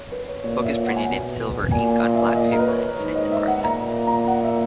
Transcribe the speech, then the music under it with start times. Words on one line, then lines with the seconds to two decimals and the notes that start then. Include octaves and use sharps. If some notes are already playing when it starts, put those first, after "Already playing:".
The book is printed in silver ink on black paper in Centaur type.
Already playing: C#5
0.12 B4
0.28 C#5
0.44 A#2 C#5
0.65 E5
0.86 F#5
0.96 G#5
1.05 B2 F#5
1.71 A#2 G#5
2.15 E5
2.36 D#5
2.52 A#4
2.60 B4
2.67 C#5
3.00 G#2
3.15 D#5
3.32 E5
3.47 F#5
3.64 A#2 A#5
4.07 A#5
4.27 F#5
4.44 E5